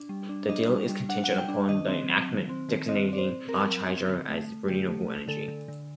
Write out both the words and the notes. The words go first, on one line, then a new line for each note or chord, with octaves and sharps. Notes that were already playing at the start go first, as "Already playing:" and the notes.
The deal is contingent upon the enactment designating large hydro as "renewable energy".
Already playing: D4
G3
D4
D4 D#5
G3
G3
D4 F#5
F#5
G3
G5
D4
D#3 D#5
C4
F#3
D#3
C4
D#3
C4 D#5
C4 D5
C5
C4
C4 A#4
F#3
C4
D3
A3
A3
D3 G4
A3
A3
D3 A4
D3
D3